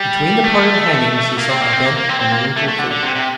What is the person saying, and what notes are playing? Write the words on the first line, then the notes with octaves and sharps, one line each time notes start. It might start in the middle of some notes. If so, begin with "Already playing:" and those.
Between the parted hangings he saw a bent and wrinkled figure.
Already playing: G3
A3
A#3
C4
A#3
C4
A#3
A#3
C4
C4
A#3
A3
A3
D3
D3
C3
C3